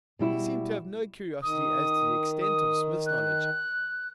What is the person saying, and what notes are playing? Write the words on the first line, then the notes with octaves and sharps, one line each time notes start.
He seemed to have no curiosity as to the extent of Psmith's knowledge.
B2 G3 E4
D#3 D#6
D#6
F#6